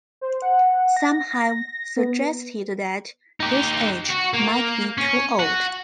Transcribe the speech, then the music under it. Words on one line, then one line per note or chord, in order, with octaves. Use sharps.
Some have suggested that this age might be too old.
C5
F#5
A#6
B3
D#4 G4
F#4
A#3
C#4
F#4